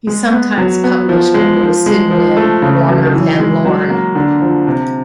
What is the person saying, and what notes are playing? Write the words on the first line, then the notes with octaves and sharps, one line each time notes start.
He sometimes published under the pseudonym Warner Van Lorne.
G#3
B3
F#3
B3
F3
G#3
F3
G#3
F3
A3
C#3
F#3
E3
G#3
F#3
A#3
D3
F3
C3